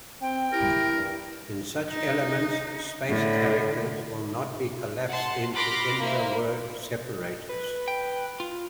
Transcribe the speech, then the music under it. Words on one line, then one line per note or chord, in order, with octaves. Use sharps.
In such elements, space characters will not be "collapsed" into inter-word separators.
C4 G5
E4 G4 A#4
G2
D#4
A2 D3
F#5 A5 C6
B5 C6 D6 F6 F#6 A#6
A#3 E4 A#4 C5
B4
G5
F4